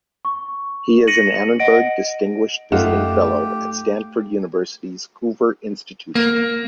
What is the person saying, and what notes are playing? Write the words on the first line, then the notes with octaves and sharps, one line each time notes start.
He is an Annenberg Distinguished Visiting Fellow at Stanford University's Hoover Institution.
C#6
A#6 C#7 D#7 F#7
D#5 F#5 A#6 D7
F#2 A3 D#4 F4 G4 F#5 E7
A#3